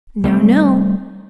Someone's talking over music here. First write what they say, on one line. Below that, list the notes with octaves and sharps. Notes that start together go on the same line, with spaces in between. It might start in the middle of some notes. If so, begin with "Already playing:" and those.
No, no.
G3 A3 C4